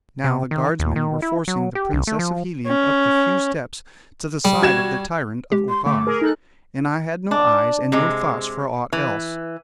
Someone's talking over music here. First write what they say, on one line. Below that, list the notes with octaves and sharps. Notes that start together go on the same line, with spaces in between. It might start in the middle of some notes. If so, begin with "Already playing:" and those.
Now the guardsmen were forcing the Princess of Helium up the few steps to the side of the tyrant of Okar, and I had no eyes and no thoughts for aught else.
C3
D#3
D#2
D#3
E4
F#3
G4
C2
A3
F3
C#4
G3
F#4 G#6 E7
G#3 G4
C6
D3 A3 D6
G#4 A#4
D#4 A4 F#6
D4
C3 G#3
E3